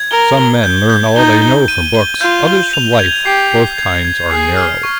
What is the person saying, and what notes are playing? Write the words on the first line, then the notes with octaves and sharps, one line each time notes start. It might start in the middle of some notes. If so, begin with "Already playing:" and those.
Some men learn all they know from books; others from life; both kinds are narrow.
Already playing: G#6
A#4 G7
G7
G6
G6
D#4 G7
G7
D#7
G7
F4 G6
G7
F7
G#6
G4 C7
C7
G#6
G#6
G#4 C7
F6
C#6